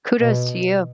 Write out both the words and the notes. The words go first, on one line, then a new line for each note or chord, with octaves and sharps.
Kudos to you,
B2